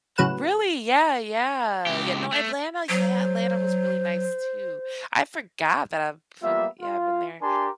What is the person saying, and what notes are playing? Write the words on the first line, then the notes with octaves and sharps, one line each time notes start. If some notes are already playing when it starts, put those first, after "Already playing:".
Really? Yeah, yeah, yeah no, Atlanta yeah, Atlanta was really nice too. I forgot that I've f heh, yeah I've been there.
A2 C#3 F#3 B4 F#5 E7
C#2 G4
A3
F#3 C5
G3 A#3 B3 F4 E5
F4
D4 G4 A#4 G#5 A5 C6